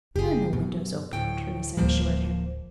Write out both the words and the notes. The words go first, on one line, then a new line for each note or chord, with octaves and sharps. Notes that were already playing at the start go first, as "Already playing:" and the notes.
"There are no windows open," Theresa assured him.
F#1 G4 G#4
F#2 B2
D2 A2 G5
D1 F3 G3 A#3 C5